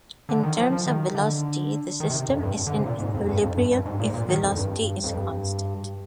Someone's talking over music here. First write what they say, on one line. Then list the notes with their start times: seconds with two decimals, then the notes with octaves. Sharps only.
In terms of velocity, the system is in equilibrium if velocity is constant.
0.29 D3
0.43 D#3
0.58 F3
0.72 F3
0.86 D#3
1.15 D3
2.00 D#3
2.10 C3
2.29 F2
2.43 G2
2.67 D3
2.76 C3
2.86 A#2
3.00 G#2
3.14 F2
3.29 G2
3.43 F2
3.57 G2
3.71 G2
3.86 G#2
4.00 A#2
4.10 G#2
4.14 A#2
4.29 D#3
4.43 F2
4.57 G2
5.04 F2
5.14 G2